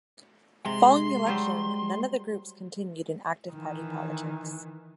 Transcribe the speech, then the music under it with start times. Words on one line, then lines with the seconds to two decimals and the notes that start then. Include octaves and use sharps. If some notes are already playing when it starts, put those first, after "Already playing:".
Following the election, none of the groups continued in active party politics.
0.65 C3 G#3 C6
1.26 F#3 G3 C5
3.51 D#3 E3